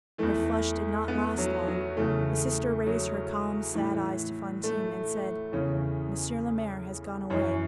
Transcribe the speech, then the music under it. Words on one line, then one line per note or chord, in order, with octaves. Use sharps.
Her flush did not last long; the sister raised her calm, sad eyes to Fantine, and said, "Monsieur le Maire has gone away."
E2 E3 A3
B3
F#3
F#3
E2 C#3 E3 A3
F#3
A2 E3
A3
E2 C#3 E3 C#4
F#2 E3 C#4